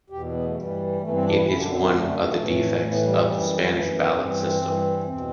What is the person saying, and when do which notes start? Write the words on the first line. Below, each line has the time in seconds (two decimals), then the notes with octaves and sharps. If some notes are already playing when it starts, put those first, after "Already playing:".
It is one of the defects of the Spanish ballot system.
0.10 E2 B2 G4
0.22 B3
0.33 B3
0.44 A3
0.55 G2 E3 G3
1.00 G2 E3 A3
1.07 B3
1.12 C4
1.23 D4
1.34 E4
1.46 F#2 D3 E4
1.57 D4
1.68 C4
1.80 C4
1.91 F#2 D3 A3
2.36 A2 E3
2.81 A2 A3
2.85 E3 B3
2.96 A3
3.03 G3
3.26 F#2 E3
3.71 F#2 E3 A3
3.87 A3
3.94 B3
4.16 G2 E3 C4
4.61 G2 E3
5.06 E2 B2 C4